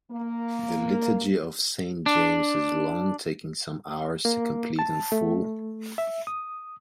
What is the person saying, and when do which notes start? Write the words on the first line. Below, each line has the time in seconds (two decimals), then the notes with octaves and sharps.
The "Liturgy of Saint James" is long, taking some hours to complete in full.
0.12 A#3
2.06 D4
4.25 A#3
4.79 A5
5.12 A3
5.98 E5
6.27 D#6